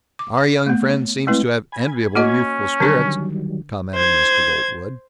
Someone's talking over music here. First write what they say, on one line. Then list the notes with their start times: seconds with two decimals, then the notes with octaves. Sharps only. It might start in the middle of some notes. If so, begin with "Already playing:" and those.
"Our young friend seems to have enviable youthful spirits," commented Mr. Boltwood.
0.19 D6
0.66 A3 B3
0.89 C#5
1.27 G#3 A3 C4 E4 B4
1.72 G#5 B5 G#6
2.15 A#3 C#4 F#4 D#5
2.80 D3 D#3 F#3 G3 D4 C#6
3.95 C5 G#6